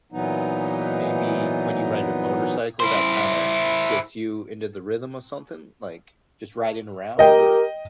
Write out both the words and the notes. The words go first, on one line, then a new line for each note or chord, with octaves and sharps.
maybe when you ride your motorcycle, that kinda gets you into the rhythm, or something, like, just riding around or
A#2 E3 F#3 B3 D#4
E4 C5
G4 A#4 D#5 G5